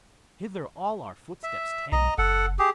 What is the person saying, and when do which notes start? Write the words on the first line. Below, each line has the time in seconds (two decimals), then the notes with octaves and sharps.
Hither all our footsteps tend.
1.43 E5
1.92 B1 D#5 A#5
2.18 F#1 A4 F#5
2.59 G4 G#4